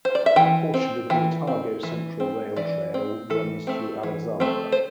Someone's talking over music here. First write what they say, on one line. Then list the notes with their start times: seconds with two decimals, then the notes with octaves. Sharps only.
A portion of the Otago Central Rail Trail runs through Alexandra.
0.05 C5
0.15 D5
0.26 E5
0.36 E3 G5
0.74 C4
1.10 E3 G5
1.47 C4
1.83 E3
2.20 C4
2.56 E3 D5
2.94 C4
3.30 E3 A4
3.67 A3 C4
4.03 E3
4.40 A3 C4
4.72 C5